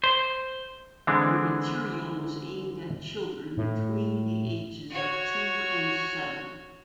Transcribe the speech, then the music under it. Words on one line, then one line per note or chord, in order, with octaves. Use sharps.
Their material was aimed at children between the ages of two and seven.
C5
D3 E3 G#3 C4 D4
A2
F#4 C#5